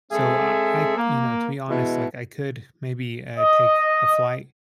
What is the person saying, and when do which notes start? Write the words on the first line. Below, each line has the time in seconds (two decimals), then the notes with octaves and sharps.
So, I I you know, to be honest, like, I could maybe, uh, take a flight
0.12 G#3 C4 G#4 A4 E5
0.97 A#3
1.69 B2 E3 G#3 E4
3.39 D#5